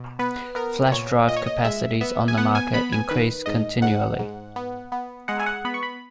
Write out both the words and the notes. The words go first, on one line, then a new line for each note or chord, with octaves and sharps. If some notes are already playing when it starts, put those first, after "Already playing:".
Flash drive capacities on the market increase continually.
Already playing: B2
B3 B4
B3 A#4
A#2 C#5
A#2 D#5
C#5
D#5
G#3 E5
B3 E5
G#5
B3 F#5
G#5
B3 B5
G#5
D#3 B4
G#2 D#5
G#2 F#5
G#2
B3
B3
G#3 F#5
G#5
F#5
B3 B5
C#6
B5